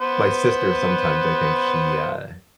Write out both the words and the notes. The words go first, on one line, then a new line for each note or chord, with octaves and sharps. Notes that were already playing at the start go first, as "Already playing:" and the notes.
my sister, sometimes, I think she, uh,
B3 B4 C5